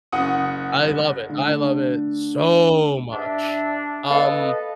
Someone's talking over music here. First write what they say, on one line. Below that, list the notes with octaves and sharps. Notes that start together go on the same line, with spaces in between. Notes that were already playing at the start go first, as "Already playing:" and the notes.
I love it I love it so much, um
F#1 F#5 D#6
D3 A3
G2 D4 E5
A4 B4 D#5 F5